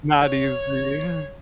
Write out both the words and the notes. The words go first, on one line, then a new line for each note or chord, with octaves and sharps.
not easy.
C#5